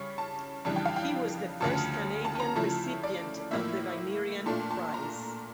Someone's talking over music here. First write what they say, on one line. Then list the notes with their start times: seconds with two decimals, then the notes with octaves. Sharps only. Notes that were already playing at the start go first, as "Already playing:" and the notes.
He was the first Canadian recipient of the Vinerian Prize.
Already playing: C#3 G3 C#4 C#6
0.18 A5
0.65 F2 C#3 E3 G3 D4 A5
0.76 G5
0.85 F5
0.96 G5
1.60 D2 C#3 F3 A5
2.25 A5
2.35 A5
2.40 A#5
2.56 C#3 F3 A3 E4 A5
3.03 D5
3.51 A2 F3 A#3 E4 E5
4.46 A#2 A3 D4 F4 A5
4.71 A5
4.94 A#5